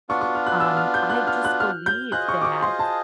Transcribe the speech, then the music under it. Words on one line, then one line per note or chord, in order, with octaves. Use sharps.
Um, I just believe that
B3 D4 F4 C#6
C#6
F6
F#6
E6
F6
G6
F#6
F6
F#6
F6
G6
F4 G#4 C5 D#5 F#6
C#6
D6
C#6
C6
A5